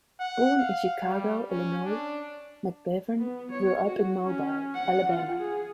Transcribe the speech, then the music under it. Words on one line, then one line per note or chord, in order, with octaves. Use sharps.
Born in Chicago, Illinois, McGivern grew up in Mobile, Alabama.
F#5
F5
G3
C#4
D4
B3
C#5
F#4
C#4
F#5
F4
G#4